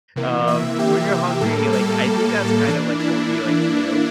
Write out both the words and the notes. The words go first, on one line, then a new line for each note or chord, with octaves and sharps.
um, when you're hungry, like, I think that's kinda like what we like to do,
C3 E3 A#3
E5
G4
G4
A2 G3 A#3 A4
A4
E3 A#3 D4
E4